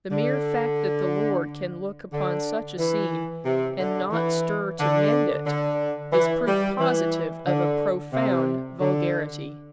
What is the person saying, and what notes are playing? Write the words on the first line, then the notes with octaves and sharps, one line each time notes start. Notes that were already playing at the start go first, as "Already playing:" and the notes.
The mere fact that the lord can look upon such a scene and not stir to mend it, is proof positive of a profound vulgarity.
D3
D3
E3
C3
D3
E3
D3
D3
E3
G3
E3
D3
C3
D3